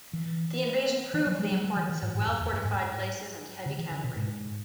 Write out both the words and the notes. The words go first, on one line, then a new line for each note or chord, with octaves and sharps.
The invasion proved the importance of well-fortified places and heavy cavalry.
E3
E3
F#3
G#3
F#3
F#3
E3
E3
G#2
G#2
F#2
E2
F#2
G#2
C#3
E3
C#3
B2
G#2